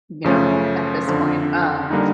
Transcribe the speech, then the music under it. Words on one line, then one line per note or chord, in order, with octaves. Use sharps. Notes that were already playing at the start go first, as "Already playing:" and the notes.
Yeah, at this point. Um
F#2 C#3 F3 A3 C#4
F2 D3 F3
D3 G3 A#3 D#4